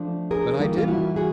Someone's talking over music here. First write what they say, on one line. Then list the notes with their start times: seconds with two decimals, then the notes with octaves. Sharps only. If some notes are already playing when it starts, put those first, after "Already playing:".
"But I didn't."
Already playing: F3 A3 D4
0.31 G#4 A#4
0.59 E3 G3 A#3 D#4 F4
0.78 F4
0.88 E4 F#4
1.16 F#4 G#4